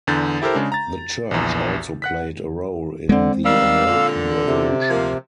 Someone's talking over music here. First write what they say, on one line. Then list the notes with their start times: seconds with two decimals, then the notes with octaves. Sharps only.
The church also played a role in the American Revolution.
0.07 E2 D3 G6 A6
0.42 E4 G4 A4 A#4 C5
0.55 C#3 G#3 D4
0.72 A#5 A6
1.31 A#1 E2
2.02 F#5 F#6 B6
3.09 D3 G#3 C4
3.45 D#3 G3 F5 E6
3.86 A#2 D3
4.46 C3
4.90 F3 A#3